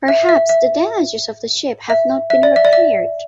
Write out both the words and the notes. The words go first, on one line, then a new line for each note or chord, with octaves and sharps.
Perhaps the damages of the ship have not been repaired.
E5
E5
E5
E5
E5
D5
E5
D5
E5